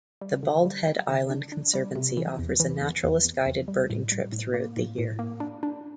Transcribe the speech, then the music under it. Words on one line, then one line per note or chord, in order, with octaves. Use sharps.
The Bald Head Island Conservancy offers a naturalist guided birding trip throughout the year.
G3
D3
G3
G3
D3
D4
D4
G3
C3
E3
E2
E3
E2
E2
E2
E2
G3
A2
G3
A2
A#3
A2
A2
A#3
D4
D4